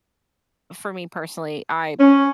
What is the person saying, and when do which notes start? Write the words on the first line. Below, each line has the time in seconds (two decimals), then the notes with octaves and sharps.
for me personally, I,
1.99 C#4